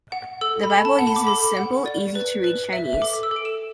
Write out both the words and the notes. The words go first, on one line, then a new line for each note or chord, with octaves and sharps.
The Bible uses simple, easy to read Chinese.
F#5
A4 E6
B5
A4
A5
F#5
B5
D6
A4 B5
F#5
D5
B4
B4
E5
A4 D6
E6
A4
D7
E7